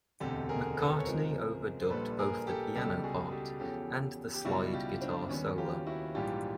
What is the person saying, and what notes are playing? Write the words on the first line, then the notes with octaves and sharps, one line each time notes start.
McCartney overdubbed both the piano part and the slide guitar solo.
E1 D2 C3 G4 A4
G#4 A#4
A4 B4
C#5
C#2 C3 F3 G#3 A#4 C5
C5
A#1 A#2 G3 A4 B4
G#4 A#4
G4 A4
C#2 B2 G3 G4 A4
F#4 G#4
G#4
G4 A4
E2 C#3 F3 G4 A4
G4
C#2 B2 G3 E4 F#4
F4 G4
C4 D4
D#2 D#3 G3 B3 C#4
F#4
F4 G4
E4 F#4
A#1 G#2 E3 G3 F4 G4